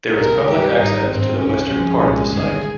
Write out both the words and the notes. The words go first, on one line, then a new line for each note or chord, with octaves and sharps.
There is public access to the western part of the site.
C2 A#2 G#3 A#4
G2 G3 G4
G#1 G2 G3 D#4
G#1 G2 D#3 G#3 C4
C2 C3 G3 C#4
C#2 C#3 F3 G#3
C2 A#2 G#3
G1 G2 D#3 G#3 G#4